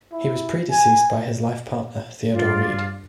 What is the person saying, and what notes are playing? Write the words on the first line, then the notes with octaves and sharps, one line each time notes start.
He was predeceased by his life partner, Theodore Reid.
E4
G#5
G2 F4 D5